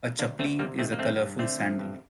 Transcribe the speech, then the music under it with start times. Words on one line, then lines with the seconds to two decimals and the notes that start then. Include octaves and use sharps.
A "chaplis" is typically a colourful sandal.
0.19 D2 A#3 D4
0.39 D2 A3 C4
0.59 C3 G3 A#3
0.79 D#3 A3 C4
0.92 A#3
0.99 G2 A3 C4
1.20 G2
1.39 D3 A3 C4
1.59 F3
1.79 G2